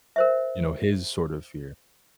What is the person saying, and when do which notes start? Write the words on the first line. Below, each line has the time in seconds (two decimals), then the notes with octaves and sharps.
you know, his sort of fear.
0.16 A#4 C5 E5